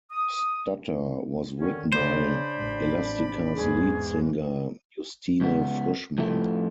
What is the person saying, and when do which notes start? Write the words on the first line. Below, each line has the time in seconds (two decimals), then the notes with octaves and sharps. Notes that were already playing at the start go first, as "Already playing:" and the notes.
"Stutter" was written by Elastica's lead singer, Justine Frischmann.
0.11 D#6
1.60 D3 D#3 C#4
1.92 C#3 D4 C5 D5 B5
2.57 A1
3.55 E2 G#2 G#4
5.41 C#2 B3
6.18 F2 A2 F3 A3